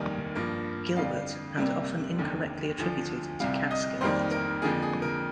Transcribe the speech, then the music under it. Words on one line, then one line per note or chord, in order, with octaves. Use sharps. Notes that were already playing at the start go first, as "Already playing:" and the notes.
Gilbert, and often incorrectly attributed to Cass Gilbert.
Already playing: F1 D#2 D#3 G3 A#3 G#5
G2 F3 A#3
F2 D3 G3 F5
C2 C3 G3 A#3
F1 D#2 D3
D2 D3 F3
C2 C3 G3 F5
D#5
F1 F2 D#3 G3 A#3 C5
A#4
F2 D3 F3 A#3 G#4
G#4
A#4